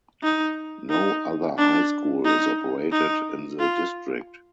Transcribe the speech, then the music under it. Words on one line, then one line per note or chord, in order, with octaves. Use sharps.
No other high school is operated in the district.
D#4
D#4
D4
D#4
D#4
F4